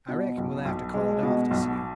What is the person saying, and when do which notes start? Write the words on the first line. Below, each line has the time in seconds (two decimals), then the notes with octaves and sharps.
I reckon we'll have to call it off this year.
0.08 B2
0.38 B1
0.65 B1
0.94 G#3
1.23 B2
1.51 B1